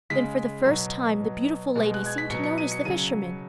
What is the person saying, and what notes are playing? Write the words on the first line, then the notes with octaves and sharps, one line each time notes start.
Then for the first time the beautiful lady seemed to notice the fisherman.
C#3 G#3 B6
B2 F#3
B2 F#3
B2 G#3
F#6
G#6
B6
B2 F#3 C#7
C#7
D#7
C#7
C#3 F#3 D#7